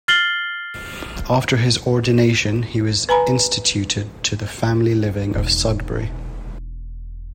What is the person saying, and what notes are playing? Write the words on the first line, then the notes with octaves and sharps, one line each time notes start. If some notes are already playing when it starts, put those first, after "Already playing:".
After his ordination he was instituted to the family living of Sudbury.
F6 A6 C7 F#7 G7
B4 G#5 A#5 B5
E1 D#4